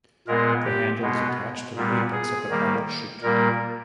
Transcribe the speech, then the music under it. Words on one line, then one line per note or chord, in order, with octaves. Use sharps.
The handle is attached to the apex of the pilot chute.
A#2 G#3 B3 A#4
G4
B2 G#3 B3
A#2 G3 B3
G#4
D#3 G3 A#3
A#2 G3 A#3 A#4